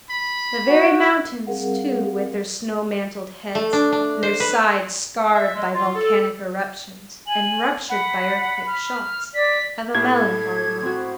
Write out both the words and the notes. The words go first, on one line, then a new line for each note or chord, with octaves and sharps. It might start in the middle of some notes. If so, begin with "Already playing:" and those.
The very mountains, too, with their snow-mantled heads, and their sides scarred by volcanic eruptions and ruptured by earthquake shocks, have a melancholy look.
B5
F#4
G3 C4 G#4 A#4 F5 F#5
A3
D4
D4
C5
B4
E5
G#3
F4
A4
G#5 F#7
F#5 B5
F6
D5 B6
A2 E4 G4 A4 G#6
C4 F#4